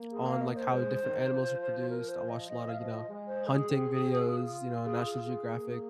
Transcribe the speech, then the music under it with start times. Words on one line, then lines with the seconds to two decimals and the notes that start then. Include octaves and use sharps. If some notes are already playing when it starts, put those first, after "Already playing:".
on, like, how different animals were produced, I watched a lotta, you know, hunting videos, you know, National Geographic,
Already playing: A#3
0.12 G#4
0.27 F5
0.41 D#5
0.56 C5
0.71 G#3
1.00 D#3
1.30 F3
1.90 A#4
2.08 C5
2.29 D#5
2.48 F3 D#5
2.69 F5
2.78 F3 D#5
3.07 G#3
3.27 C5
3.47 G#4
3.67 C4
4.26 F4
4.85 G#4
5.06 G#4
5.25 G#4
5.44 A#3